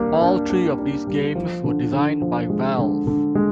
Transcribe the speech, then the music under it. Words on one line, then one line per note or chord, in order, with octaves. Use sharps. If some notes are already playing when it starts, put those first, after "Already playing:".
All three of these games were designed by Valve.
Already playing: G3 A#3 D4
D4
D4
D4
G3
F3
D3
D3
F3
G#3
D3
D3
G#3